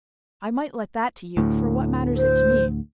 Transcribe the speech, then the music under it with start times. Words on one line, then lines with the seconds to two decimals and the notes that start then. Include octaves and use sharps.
I might let that to you, for what matters it to me?
1.37 D2 A2
2.16 C5